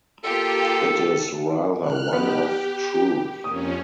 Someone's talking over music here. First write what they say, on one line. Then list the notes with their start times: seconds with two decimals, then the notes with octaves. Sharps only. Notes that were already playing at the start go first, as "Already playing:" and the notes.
It is rather one of "truth".
0.24 A#3 F4 G4 A4
1.81 F6 F#6
2.13 B3 D#4 G4
2.51 G5
3.44 F2 A#3 C#4 D#6